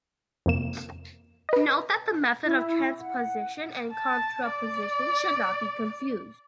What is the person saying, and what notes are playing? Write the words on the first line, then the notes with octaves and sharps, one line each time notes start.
Note that the method of transposition and contraposition should not be confused.
F2 C3 A#3 E7
B4 D#5
E4
F#5
A5
D5